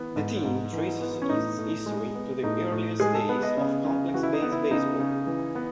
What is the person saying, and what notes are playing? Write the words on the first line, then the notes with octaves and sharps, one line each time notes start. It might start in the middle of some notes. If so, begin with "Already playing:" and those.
The team traces its history to the earliest days of "complex-based" baseball.
Already playing: E3 B3
G#2
G#2
E3
B3
C#4
A2 D#4
A2
G#3
B3
A2 D#4
A2
G#3 G#4
A4
B3 B4
D#5
C#3
C#3
E3 F#4
E4
D#4
B3
E4
C#3 D#4
C#3
E3
B3